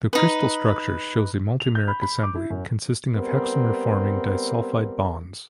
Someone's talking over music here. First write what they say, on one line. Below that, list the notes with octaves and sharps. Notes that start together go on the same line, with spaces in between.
The crystal structure shows a multimeric assembly consisting of hexamer-forming disulfide bonds.
D#4 B4
F7
G6
B5
B5
D6
E4
F#2
G3 B3 C4 A#4